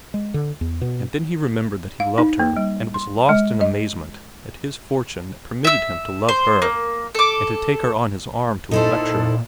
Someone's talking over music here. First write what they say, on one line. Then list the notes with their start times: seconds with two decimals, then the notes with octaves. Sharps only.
And then he remembered that he loved her and was lost in amazement at his fortune that permitted him to love her and to take her on his arm to a lecture.
0.14 G#3
0.34 D3
0.61 E2
0.82 B2
2.00 F5
2.18 D#4
2.39 A#3
2.57 G3
2.94 C6
3.29 G#3
3.61 D#5
5.64 E5 E6
6.29 C5
6.62 A#3
7.15 A4 D6
8.71 A#2 D#4 E4 A4 C5